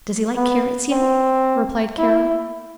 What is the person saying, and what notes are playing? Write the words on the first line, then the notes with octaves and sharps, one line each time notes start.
"Does he like carrots yet?" replied Carol.
B3
C4
E4